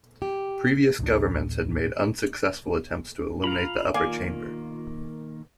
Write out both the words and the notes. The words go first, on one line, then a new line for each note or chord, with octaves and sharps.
Previous governments had made unsuccessful attempts to eliminate the upper chamber.
G4
A1 D2 D4
F4 F5 A#5 B5
D#3 A#3 D5 F5 G#5